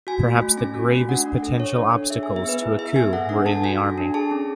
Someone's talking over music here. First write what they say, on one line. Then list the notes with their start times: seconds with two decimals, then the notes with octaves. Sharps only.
Perhaps the gravest potential obstacles to a coup were in the army.
0.07 F#4 G#5
0.24 A3
0.42 A3
0.58 C#4 G#5
0.75 F#4
0.92 A3
1.09 D4 F#5
1.26 D4
1.43 A4
1.60 A4 C#5
1.76 D4
1.94 D4
2.10 G#4 E5
2.23 G#5
2.28 B3
2.36 E5
2.45 B3 B4
2.62 E4
2.78 G#4 E5
2.96 B3 G#5
3.13 A4 F#5
3.29 D4 F#5
3.46 D4 A5
3.64 F#4 G#5
3.80 A4
3.98 D4
4.14 G#4 A5
4.31 C#4